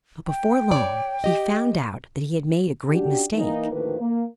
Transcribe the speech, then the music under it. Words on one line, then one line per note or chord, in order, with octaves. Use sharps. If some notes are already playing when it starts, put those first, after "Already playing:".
But before long he found out that he had made a great mistake.
G5
C#5 D5
G4 D#5
C#4 D4 F#4 G4
E3 A#3 D#4
D2 A2 D#3 F3 A#3 B4
A#3